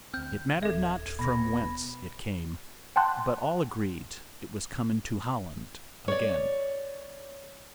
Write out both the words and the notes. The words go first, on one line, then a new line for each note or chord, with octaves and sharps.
It mattered not from whence it came; but all agreed it was come into Holland again.
D2 C4 F6 G6
D#1 A4 E5 G#6
B2 B5 A#6
F#5 G5 A5 C6 F#6
C#5 D5